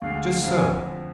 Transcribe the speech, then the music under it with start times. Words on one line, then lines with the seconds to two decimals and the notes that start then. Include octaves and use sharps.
Just so.
0.01 D2 D3 G#3 F5
0.22 F5
0.42 F2 D3 F3 F5
0.56 G#5